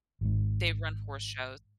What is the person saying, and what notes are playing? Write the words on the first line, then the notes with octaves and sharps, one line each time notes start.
they run horse shows,
G#1 G#2